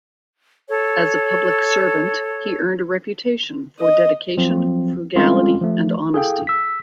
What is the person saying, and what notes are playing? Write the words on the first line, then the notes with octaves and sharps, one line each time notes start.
As a public servant, he earned a reputation for dedication, frugality, and honesty.
A4 C#5
D#5
F3 F#3 C4
G3 G#3 C4 C#4 F4 A4
F3 A3
E4 G#4 A4 F5 G5
E6 B6